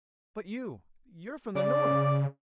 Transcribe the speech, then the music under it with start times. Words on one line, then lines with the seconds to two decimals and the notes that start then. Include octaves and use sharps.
"But you--you're from the North."
1.55 C#3 D5